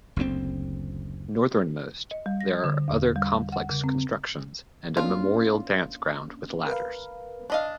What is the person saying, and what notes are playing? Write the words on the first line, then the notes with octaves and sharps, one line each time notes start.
Northernmost, there are other complex constructions and a memorial dance ground with ladders.
F#1 D2 A#2 C4
D#5
G3
A#6
D3
E2
G3
F#5
C#3
C4
A#3 C#4 D4 F4
A#4 B4 F5
D4 D#5 F5